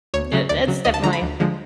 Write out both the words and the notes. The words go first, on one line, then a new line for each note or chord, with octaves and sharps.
that that's definitely
D2 C#5
C#3 F#3
D2 D5
C#3 F#3
D2 D#5
A5
D3 F3 G#3 A#5
B5
D2
D3 F3 G#3